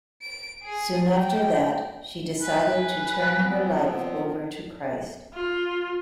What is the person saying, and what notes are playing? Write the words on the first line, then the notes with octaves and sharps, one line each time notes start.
Soon after that, she decided to "turn her life over to Christ".
D7
G#4
G5
B4 G#5
F3 B3 C4
F4